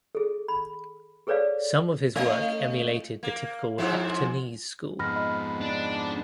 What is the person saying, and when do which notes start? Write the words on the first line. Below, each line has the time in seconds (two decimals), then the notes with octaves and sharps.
Some of his work emulated the typical Heptanese School.
0.15 G#4 A4
0.48 B5
1.27 G#4 A4 B4 C#5 D5 F5
2.15 A3 C#4 D#5
3.23 A#3
3.78 F2 G#2 E4
4.99 F2 G#2 B3 B5 F6 A#6
5.16 D#5 B5
5.61 D4